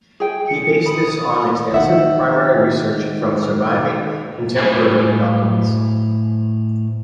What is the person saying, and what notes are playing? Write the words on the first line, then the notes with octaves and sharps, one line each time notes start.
He based this on extensive primary research from surviving contemporary documents.
G#4 G5
C#7
B5 D#6
D#3 E5 F#5
A2 B4 C5 G#5